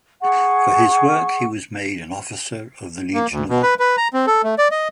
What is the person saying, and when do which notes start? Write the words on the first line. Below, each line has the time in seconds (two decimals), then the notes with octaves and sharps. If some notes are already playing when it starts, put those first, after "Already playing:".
For his work he was made an Officer of the Legion of Honour.
0.22 G#4 F#5 C#6
3.14 A#3
3.32 D2
3.49 B2
3.63 B4
3.79 B4
3.97 A#5
4.14 C4
4.27 A4
4.44 A3
4.58 D5
4.71 D#5